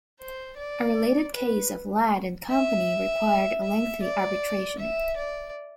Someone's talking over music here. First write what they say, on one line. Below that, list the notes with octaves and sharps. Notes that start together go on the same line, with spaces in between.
A related case of Ladd and Company required lengthy arbitration.
C5
D5
B4
E5
E5
D5
E5
D5